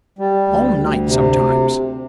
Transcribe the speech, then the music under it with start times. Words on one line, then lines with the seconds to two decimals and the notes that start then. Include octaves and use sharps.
All night sometimes....
0.19 G3
0.48 D2
0.77 D2
1.06 C3